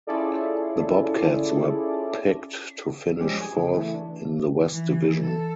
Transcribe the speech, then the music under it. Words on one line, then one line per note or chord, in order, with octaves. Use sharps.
The Bobcats were picked to finish fourth in the West Division.
C#4 E4 F4 G#4 A4 D5
F3 G3 G#3 C#4 D4 G4
G#4 G#5
C#3
E3 A3
D4
E3
A4